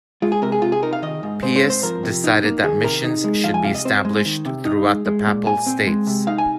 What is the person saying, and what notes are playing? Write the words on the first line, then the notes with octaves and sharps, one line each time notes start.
Pius decided that missions should be established throughout the Papal States.
G#3 F4
G#4
C3 A#4
G#4
C3 F4
G#4
D#4 A#4
F5
D#3 D#5
G#2
G#2 C5
C5
C4
C5
F3 A#4
C3
D#4
A#3
D#3 G#4
C3 A#4
D#4
G#3
F3 F5
G#5
C3 F5
D#5
C4 C5
G#3
D#3
C3
D#4
G#3
G#3
A#2
A#2 G#5
C4
G#3
C3
D#4 F5
G#5